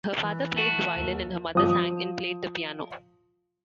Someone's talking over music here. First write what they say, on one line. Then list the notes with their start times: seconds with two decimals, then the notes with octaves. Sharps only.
Her father played the violin and her mother sang and played the piano.
0.17 E3
0.56 A3 F#4
0.95 D#2
1.55 F3 D#6